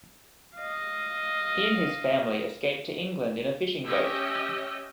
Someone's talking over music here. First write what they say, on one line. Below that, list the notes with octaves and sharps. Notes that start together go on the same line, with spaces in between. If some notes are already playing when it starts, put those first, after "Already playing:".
He and his family escaped to England in a fishing boat.
D#5 F5
C#4 G4 D#5 E5 G5